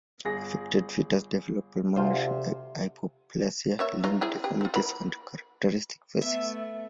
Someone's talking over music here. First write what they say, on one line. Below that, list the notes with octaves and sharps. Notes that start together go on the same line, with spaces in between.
Affected fetuses develop pulmonary hypoplasia, limb deformities, and characteristic facies.
G1 G#4 A#6
D2 C3 F4 C5
A#3 C#5 E5
E3 D#4 F4
C4 E4 G#4
G4 G#4
C4 F4
E3 A#3 B5
A3 B3 E5